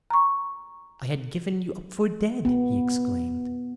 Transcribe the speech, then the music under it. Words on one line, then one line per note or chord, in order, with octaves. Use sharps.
"I had given you up for dead," he exclaimed.
A#5 C#6
B3